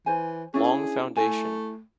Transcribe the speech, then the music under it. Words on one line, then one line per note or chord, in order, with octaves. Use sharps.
Long Foundation.
E3 C5 G#5
C#4 D4 E4 G#4
A3 E4 G#5